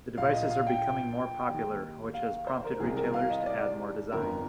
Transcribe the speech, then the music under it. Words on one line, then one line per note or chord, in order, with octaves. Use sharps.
The devices are becoming more popular, which has prompted retailers to add more designs.
A#1 A#2 F5
D#5
F5
G5
D#2 D#3
F5
C5
A#4
C2 C3 D#3 G#4
A#4
F5
D#5
D5
G1 F2 D3 A#4